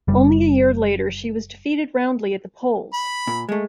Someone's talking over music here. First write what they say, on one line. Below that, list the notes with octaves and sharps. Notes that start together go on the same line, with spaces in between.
Only a year later, she was defeated roundly at the polls.
F#1 G3
B5
A#2
G#3 A3